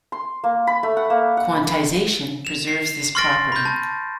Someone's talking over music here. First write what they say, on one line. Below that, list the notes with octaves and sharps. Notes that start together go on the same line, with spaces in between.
Quantization preserves this property.
C6
A#3
B5
A3
F#5
A#3
F#5
B5
E7 F7
C7
C6 C#6 F6 A6 A#6 D7
B5 G6
A5